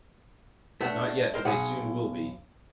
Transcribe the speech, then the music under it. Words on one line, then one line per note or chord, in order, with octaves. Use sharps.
"Not yet, but they soon will be."
A3 D4 A4 B4 F#5
A#4 C5 D#5
B1 G#4 F#5